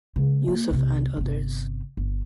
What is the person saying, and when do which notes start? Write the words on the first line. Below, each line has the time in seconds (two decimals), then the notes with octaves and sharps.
Yusuf and others.
0.16 C#3 G#3
0.48 A#3
0.71 B1 C3
1.17 G1 C3
1.97 G1